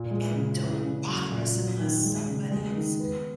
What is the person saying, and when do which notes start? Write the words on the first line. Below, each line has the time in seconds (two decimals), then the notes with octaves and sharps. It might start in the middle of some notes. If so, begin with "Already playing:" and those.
and don't bother us unless somebody is
Already playing: A#2
0.11 G#3
0.35 C#3
0.59 E3
0.84 C#3
1.07 F#3
1.32 A#2
1.55 F#3
1.79 D#3
2.03 G#3
2.28 C#3
2.51 G#3
2.75 D#3
3.00 B3